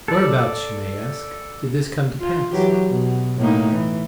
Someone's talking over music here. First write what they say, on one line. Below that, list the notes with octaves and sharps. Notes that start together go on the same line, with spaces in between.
Whereabouts, you may ask, did this come to pass?
A4 D5
F4
E3 F#3 G4
B2
A2 A#3 D#4
E3